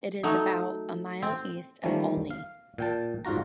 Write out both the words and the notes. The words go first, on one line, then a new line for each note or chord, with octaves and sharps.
It is about a mile east of Olney.
F#3 A3 D#4
C4
D#3 F3 G3 A3 A#3 C#4
F5
A#2 G5 A5
G#2 D3 F4 F#4 A#5